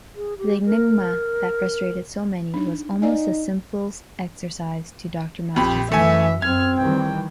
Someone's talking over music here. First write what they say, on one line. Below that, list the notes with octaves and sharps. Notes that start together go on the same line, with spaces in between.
The enigma that frustrated so many was almost a simples exercise to Dr. Masterson.
G#4
G4
A#4
D4 D#4
D#4 D5 F5 G#5
A#1 F2 G4 B5
F#2 E3 A3 E5 G#5
F#2 C4 F6 G#6
D#3 E3 G3 G5